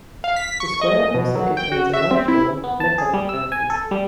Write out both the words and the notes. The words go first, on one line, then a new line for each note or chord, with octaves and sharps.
The square also contains a large lawn and a public fountain.
F5
B6
C#6
D#5
B2
F#3
G5
F#4
E5
C4
E4
B3
A5
G#4
G3
E6
G#5
A4
G3